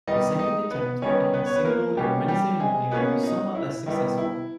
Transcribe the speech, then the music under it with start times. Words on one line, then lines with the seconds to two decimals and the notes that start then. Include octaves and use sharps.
A second attempt at a single in "Wednesday Morning" was somewhat less successful.
0.07 D#3 G3 B3 D#4 D#5
0.39 D#4 D#5
0.71 B3 B4
1.02 D#3 G3 B3 C#4 D#4 C#5
1.34 B3 B4
1.46 C#5
1.56 B4
1.65 A#3 A#4
1.97 B2 G3 A#3 C#4 G4
2.28 G3 G4
2.60 G#3 G#4
2.91 B2 A#3 B3 C#4 B4
3.23 D#4
3.55 E4
3.86 D#3 G3 B3 E4
4.18 E4